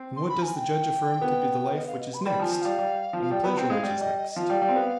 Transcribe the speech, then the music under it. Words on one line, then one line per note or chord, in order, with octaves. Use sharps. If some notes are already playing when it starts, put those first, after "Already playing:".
And what does the judge affirm to be the life which is next, and the pleasure which is next?
Already playing: C4
C6
B5
G#5
G5
B3
D#5
F5
D#5
B5
C6
G3 B5
F3 G#5
F3
G3 F5
G3
F3
F5
G3 G5
B3 B5
C4 G5
G#3 F5
G3 D5
G3 D#5
D#5
D#5
F3 F5
G3
G3
C4
B3